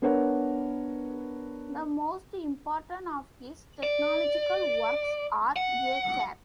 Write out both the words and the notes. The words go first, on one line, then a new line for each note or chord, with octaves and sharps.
The most important of his theological works are: A kath.
B3 D4 A#4 B4 C#5 F#5
D5
F#5